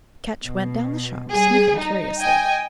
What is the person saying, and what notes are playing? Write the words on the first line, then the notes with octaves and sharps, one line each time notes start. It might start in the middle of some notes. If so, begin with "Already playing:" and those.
Ketch went down the shop, sniffing curiously.
B2
G3 G#4
D#4
D#5 G5 G#5